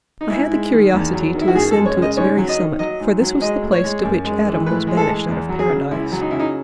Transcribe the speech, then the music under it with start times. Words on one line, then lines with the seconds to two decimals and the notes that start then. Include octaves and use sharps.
I had the curiosity to ascend to its very summit, for this was the place to which Adam was banished out of Paradise.
0.21 D#4
0.30 G#2 E4
0.51 G#3
0.73 D#3
0.93 E2
1.13 F#3
1.35 D#3
1.41 E4
1.48 F#4
1.55 F#2 G#4
1.71 A4
1.75 G#3
1.86 C#5
1.97 C#3
2.02 D#5
2.17 G#2 C#5
2.37 F#3
2.49 D#5
2.58 D#3
2.79 F#3 D#5
3.00 G#2
3.21 F#3
3.41 G#3 D#5
3.62 A2
3.73 C#5
3.84 G#3
4.03 F#2
4.24 G#3
4.46 E3
4.66 A2 B4
4.87 G#3
4.97 A4
5.07 E3
5.29 E2
5.49 F#3
5.59 G#4
5.70 C#3
5.91 C#2 E4
6.12 F#3
6.21 D#4
6.31 C#3 E4
6.39 D#4